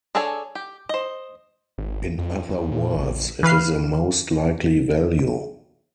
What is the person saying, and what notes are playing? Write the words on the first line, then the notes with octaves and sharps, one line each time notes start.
In other words, it is a most likely value.
D4 G#4 A4 C#5 G#5
G4
C5 D#5
G#1
F2
E2
A#2
A#1
E3 B4 F5 C7